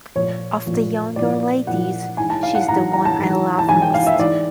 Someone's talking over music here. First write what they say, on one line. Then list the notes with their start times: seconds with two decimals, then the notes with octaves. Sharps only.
Of the younger ladies, she's the one I love most.
0.15 A#2 F3 C#5
0.66 A#2 F3
1.16 A#2 F3 D5
1.67 A#2 F3 F#5
2.17 G#2 E3 G#5
2.30 A5
2.43 F5
2.55 F#5
2.68 G#2 E3 A#5
2.93 A#5
3.05 A5
3.18 G#2 E3
3.59 A5
3.69 G#2 E3 G#5
3.82 G5
3.94 F5
4.07 E5
4.19 G#2 E3 D5